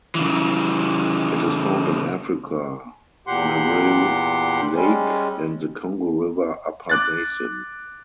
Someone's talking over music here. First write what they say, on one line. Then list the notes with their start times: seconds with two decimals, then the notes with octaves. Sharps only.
It is found in Africa: Mweru Lake and the Congo River upper basin.
0.15 C#3 E3
3.27 E2 A#2 G4 F#5 C6
4.75 G3 G#3 C#4
6.89 D6 F#6 A6